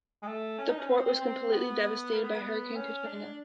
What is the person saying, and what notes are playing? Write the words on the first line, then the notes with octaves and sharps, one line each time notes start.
The port was completely devastated by Hurricane Katrina.
G#3
A3
C#4
D#4
C#4
C4
C4
C4
B3
A#3
B3
B3
C#4
D4